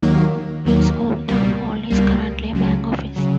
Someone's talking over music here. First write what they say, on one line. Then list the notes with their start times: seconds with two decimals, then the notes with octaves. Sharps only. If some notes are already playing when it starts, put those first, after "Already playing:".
Its old town hall is currently a bank office.
0.02 D#2 D#3 F#3 A#3
0.65 D#2 D#3 F#3 A#3
1.28 C#2 B2 G3 A#3
1.90 C#2 B2 G3 A#3
2.53 C#2 C#3 F#3
3.16 C#3 F#3